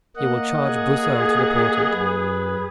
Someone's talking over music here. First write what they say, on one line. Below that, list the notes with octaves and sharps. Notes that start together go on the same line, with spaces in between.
You will charge Broussel to report it.
A#3 D#5 F#5
G#4
F#2 B4